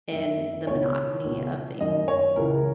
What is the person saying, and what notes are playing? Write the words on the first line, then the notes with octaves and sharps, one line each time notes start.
in the monotony of things.
F#2 D#3 E5
C#2 B2 C#5
C#2 B2
F#2 D#3 D#5
C#5
C#2 C#3 E3 A#4